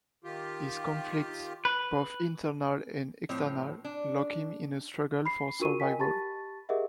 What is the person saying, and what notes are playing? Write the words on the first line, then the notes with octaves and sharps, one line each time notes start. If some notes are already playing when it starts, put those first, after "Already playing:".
His conflicts-both internal and external-lock him in a struggle for survival.
D#3 F4 G4
B4
A2 F3 C4 C#5
D4
B5 C7
D4 F4 F#4 A#4 C#6 D#7
A#4 D#5 G5 G#5 B6
G4 A5 B5 C#6 A6
G4 G#4 A#4 D#5 E5 F#5